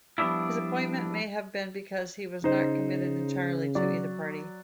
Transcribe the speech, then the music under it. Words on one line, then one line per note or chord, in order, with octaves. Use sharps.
His appointment may have been because he was not committed entirely to either party.
F3 G3 B3 D4 E4
C#3 D#4 C5
F#3 F#4 D5